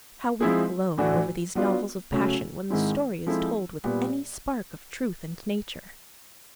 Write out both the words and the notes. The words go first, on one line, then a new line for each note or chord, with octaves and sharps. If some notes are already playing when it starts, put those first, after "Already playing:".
How we glow over these novels of passion, when the story is told with any spark of truth and nature!
F3 G#3 C4 E4 G#4
A2 E3 A3 D4 F#4
F#3 B3 D4 F4
C#3 F#3 A3 C#4
G#2 D#3 G#3 C4 E4
F3 G#3 C4 E4 A4
A#2 G3 B3